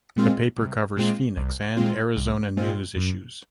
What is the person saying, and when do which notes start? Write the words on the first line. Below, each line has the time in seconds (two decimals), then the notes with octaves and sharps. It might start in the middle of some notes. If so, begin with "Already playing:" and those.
The paper covers Phoenix and Arizona news issues.
0.16 A#2 G#3 C4 F4
0.57 C2
0.97 A#2 G#3 C4 F4
1.37 C2
1.77 A#2 G#3 C4 F4
2.17 C2
2.57 A#2 G#3 C4 F4
2.96 F#2